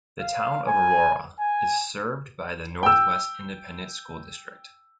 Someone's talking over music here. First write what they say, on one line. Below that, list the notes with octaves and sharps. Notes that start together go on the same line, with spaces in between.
The Town of Aurora is served by the Northwest Independent School District.
F5
G#5
G#5
G5 E6